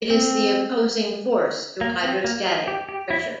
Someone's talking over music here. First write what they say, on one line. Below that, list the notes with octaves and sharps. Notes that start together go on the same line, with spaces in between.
It is the opposing force to hydrostatic pressure.
C4
A#3
C4
A#3
F4
G4
G4
E4